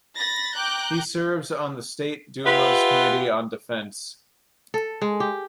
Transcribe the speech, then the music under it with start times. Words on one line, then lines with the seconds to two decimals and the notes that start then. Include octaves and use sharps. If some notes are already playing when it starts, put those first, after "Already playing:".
He serves on the State Duma's Committee on Defense.
0.17 B5 A6 A#6
0.57 G5 A#5 D6 F#6 G6
2.45 F4 G4 B4 E5 F#5
4.74 A4
5.02 G#3
5.20 G4